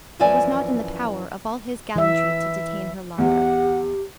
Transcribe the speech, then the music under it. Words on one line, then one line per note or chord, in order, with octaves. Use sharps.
It was not in the power of all his gallantry to detain her longer.
F#2 E3 F3 D5 E5 G#5
E3 E5
E2 G4 F#5